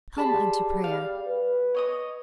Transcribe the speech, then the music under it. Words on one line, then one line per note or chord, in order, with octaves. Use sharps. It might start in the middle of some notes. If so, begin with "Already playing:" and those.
Come unto prayer!
G3 G#4 A5 B5 C6
F5
B4
C#5 D#5 D#6